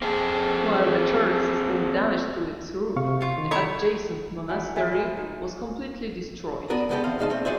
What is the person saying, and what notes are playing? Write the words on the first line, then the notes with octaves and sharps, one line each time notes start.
While the church sustained damage to its roof, the adjacent monastery was completely destroyed.
A#3 C4 G#4 A4
C3 F5 C#6
F4 C#5
D#3
E4 A4 C#5 D#5 A#5 B5
E3 F#3 D4
E3 E4 G#4 B4
G#3 G#4 D#5
D#4
B3 D4 F#4 A#4 B4
D3 G#3 B3 D4 G4 A4
E2 C4 F5 C6
C2 G#3 D#4 C5 F5 A5
A#2 A3 C4
F#3 F#4 G#4 C5 D5 E5